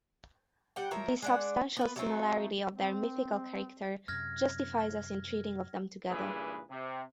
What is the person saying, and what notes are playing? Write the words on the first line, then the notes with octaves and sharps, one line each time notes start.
The substantial similarity of their mythical character justifies us in treating of them together.
G3 F#5 G5
F3 F#3 A#4 E5
G#3 D4 F#5
B3 F4 B4
F#3 A3 C4 D#4
C4
F#2 C3 F6 G#6 A#6
C#2 G2 A#2 E3 G#4 B4
C3